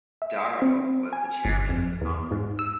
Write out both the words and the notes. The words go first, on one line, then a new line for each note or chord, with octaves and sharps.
Darrow was chairman of the conference.
E5
C4
G#5
G1
F2
E2
G#2
E6